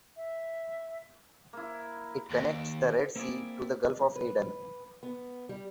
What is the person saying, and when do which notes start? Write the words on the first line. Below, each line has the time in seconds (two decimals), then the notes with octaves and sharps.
It connects the Red Sea to the Gulf of Aden.
0.17 E5
1.53 A#3 E4
2.31 D#2
3.16 A#3 C4 E4 F4 G#4 D5
4.16 B4
5.03 B3
5.49 G3